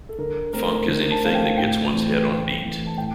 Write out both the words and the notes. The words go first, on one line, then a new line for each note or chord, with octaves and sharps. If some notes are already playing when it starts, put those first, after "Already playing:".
Funk is anything that gets one's head on beat.
A4
D3 A#4
A3 C4 A#4
D3 A#4
A5
A3 C4 F5
G5
A2 G5
E3 A3 C4
A2
E3 A3 C4
A5
A2 G5